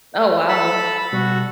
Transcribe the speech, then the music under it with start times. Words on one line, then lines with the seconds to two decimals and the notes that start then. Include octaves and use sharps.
Oh, wow.
0.48 A4 B5 E6
1.13 B2 G3 F#4